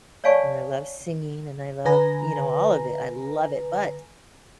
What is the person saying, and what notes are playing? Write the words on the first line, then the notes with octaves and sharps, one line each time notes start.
and I love singing, and I love, you know, all of it. I love it. But
C#5 D5 F5 G#5 A5 C#6
D3 B4 G#5 A#5 A#6